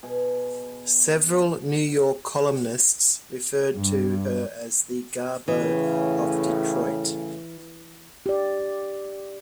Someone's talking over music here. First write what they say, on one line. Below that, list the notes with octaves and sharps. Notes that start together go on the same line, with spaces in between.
Several New York columnists referred to her as the "Garbo of Detroit".
B2 G#4
G2
A2 C#3 E3
G4 D5